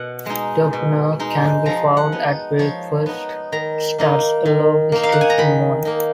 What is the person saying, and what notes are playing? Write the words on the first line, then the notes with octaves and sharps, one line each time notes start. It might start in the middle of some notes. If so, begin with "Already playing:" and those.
Doufunao can be found at breakfast stands along the streets in the morning.
Already playing: B2 F#5
G#3 D#4
B2
G#3 D#4
F3 A#5
F#5
B3 D#4
F3 C#5
B3 D#4
D#3 A#5
A#3 D#4
D#3
A#3 D#4
F5
F#5
G#5
A#5
D#3 B5
A#3 D#4